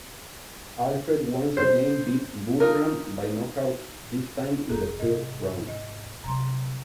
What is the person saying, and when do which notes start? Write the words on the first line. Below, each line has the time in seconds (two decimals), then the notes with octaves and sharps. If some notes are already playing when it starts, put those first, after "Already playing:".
Alfred once again beat Boodram by knockout, this time in the third round.
1.57 C5
2.60 D#4 F4 A#4
4.69 F1 G#4 A4 A#5
4.99 G#2 C3 D#5
5.68 D#5
6.24 C3 F#3 A#5 C6